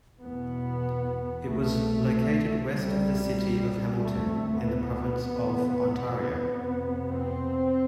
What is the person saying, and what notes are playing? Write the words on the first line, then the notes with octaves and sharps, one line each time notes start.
It was located west of the city of Hamilton in the province of Ontario.
E2 B2 B3
C2 B2 A3
C2 C3 G3
D2 C3 A3
B3
E2 C3
F2 C3
C4